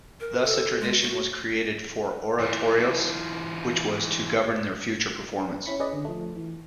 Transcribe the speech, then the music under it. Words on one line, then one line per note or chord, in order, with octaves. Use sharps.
Thus a tradition was created for oratorios which was to govern their future performance.
A#4
A4
G#3
F#4
E3 F4
C#4 E4 B5 C#7
C#4 G#4 B4 D5 D#5
D3
F3 A3
E3